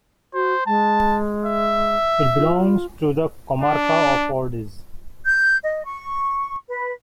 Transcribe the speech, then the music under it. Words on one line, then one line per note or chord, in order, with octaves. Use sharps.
It belongs to the comarca of Ordes.
F#4 C5
G#3 A5
E5
F4
D4
G6
D#5
C#6
B4